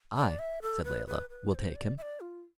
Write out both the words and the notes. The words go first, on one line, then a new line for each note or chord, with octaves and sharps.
"I," said Layelah, "will take him."
D5
E5
A4
B4
B4
B4
D5
C5
D5
E5
D5
F4